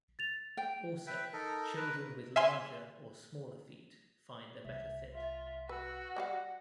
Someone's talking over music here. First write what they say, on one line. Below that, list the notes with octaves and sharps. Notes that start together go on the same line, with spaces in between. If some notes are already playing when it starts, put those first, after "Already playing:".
Also, children with larger or smaller feet find a better fit.
A6 F7
G5
B4 E5 G5
D#4 A4 A#4
A#4 B4
E5 F5 G#5 C6
C2 E5
F4 E5
F#4 B4 E6
G3 G4 F5 F#5